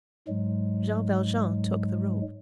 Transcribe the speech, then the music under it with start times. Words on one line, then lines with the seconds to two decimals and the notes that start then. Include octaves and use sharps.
Jean Valjean took the rope.
0.28 G#2 F#3 G#3